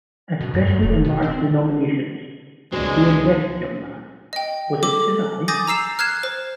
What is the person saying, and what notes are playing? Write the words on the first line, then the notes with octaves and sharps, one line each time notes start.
Especially in large denominations", "Go invest, young man", "Was it his eyes?
B2
F#2
F#2
E1
B2
C4
C#2 B2 G#3 C4 D4
D#5 G5
A4 D6
G#5 D6 D#6 G6 A6 A#6
A#5 E6 C7 E7 F7
F6 F#6 G#6 C7 E7
C5